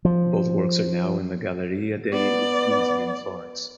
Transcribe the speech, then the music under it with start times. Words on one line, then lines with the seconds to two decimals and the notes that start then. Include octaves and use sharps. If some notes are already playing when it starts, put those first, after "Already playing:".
Both works are now in the Galleria degli Uffizi in Florence.
0.05 F3
2.13 B3 D5